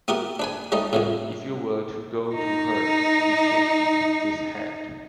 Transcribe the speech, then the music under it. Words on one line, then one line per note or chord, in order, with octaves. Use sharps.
"If you were to go to her;" He shook his head.
B3 E4 F#4 G4 A#4
D4 B4 G#5
G3 A3 C#4 D#4
C2 F2 A2
D#4 A#5